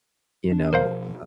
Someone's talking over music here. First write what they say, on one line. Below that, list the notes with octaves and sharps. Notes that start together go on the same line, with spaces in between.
you know, uh,
D4
B2 F3 A#4 C5 F5